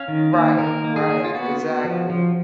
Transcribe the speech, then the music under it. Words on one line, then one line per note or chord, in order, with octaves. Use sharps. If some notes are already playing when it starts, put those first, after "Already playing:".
Right, right, exactly.
Already playing: C#4 F5
D#3
A#3
D#3 A#4
A#3
G#4
A#3
F4
B3 F#4
B3
F3
F3